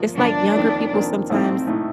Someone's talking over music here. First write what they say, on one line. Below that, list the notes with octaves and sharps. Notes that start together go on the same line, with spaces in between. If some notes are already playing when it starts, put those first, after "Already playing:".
It's like younger people sometimes
Already playing: G1 G2 F3 A#3
G1 G2 F3 A#3 D4
F2 D#3 A#3 D#4
F2 D#3 A#3 D#4
A#1 A2 A3 C4 D#4
A2 A3 D#4